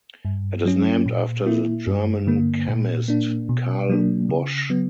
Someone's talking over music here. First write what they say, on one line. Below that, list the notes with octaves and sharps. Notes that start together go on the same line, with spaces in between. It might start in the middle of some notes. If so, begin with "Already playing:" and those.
It is named after the German chemist Carl Bosch.
G2
F#3 C#4
A#2
A#3 E4
G2
D3 A#3
A#2
A#3 D4
B2
F#3 A#3 D4
C#3
F#3 B3